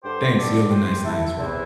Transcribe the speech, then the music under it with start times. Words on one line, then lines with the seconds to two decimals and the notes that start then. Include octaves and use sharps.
Thanks, you have a nice night as well.
0.03 G2 D3 G4 C5
0.36 A4 D5
0.69 G4 C5
1.03 E4 A4
1.36 E2 C3 E3 C4 E4